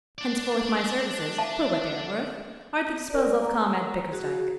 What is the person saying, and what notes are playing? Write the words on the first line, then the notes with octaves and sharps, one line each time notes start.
Henceforth my services, for what they are worth, are at the disposal of Comrade Bickersdyke.
D4 D5
E5 F5 A5
A#4 D5
A#5
F#4 G#4